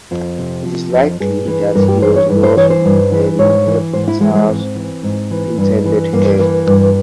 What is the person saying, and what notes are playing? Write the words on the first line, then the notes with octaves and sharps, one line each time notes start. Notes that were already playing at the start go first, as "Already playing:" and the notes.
It is likely that he was not Merneptah's intended heir.
F2 F4
C3
F3
F2
G2 G#4
E3
G2 A#4
G4
E3 C5
C#5
G2
C5
E3 C#5
C5
G2
E3
G#2 C#5
E3
G#2 C5
E4
E3 G#3
G#3
G#2 C4
E3
G#2
E3
G2
E3
G2 A#3
E3
G2